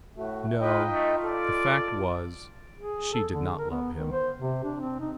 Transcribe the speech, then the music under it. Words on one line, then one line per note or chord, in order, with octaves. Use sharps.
No, the fact was, she did not love him.
A2 A3 F#4
D#4 F4 B4 D#5 G5
A3 F4
A4 D5
G#4
A4
D3
A#4
B3
D#3
C5
C3
D4
C4
D#4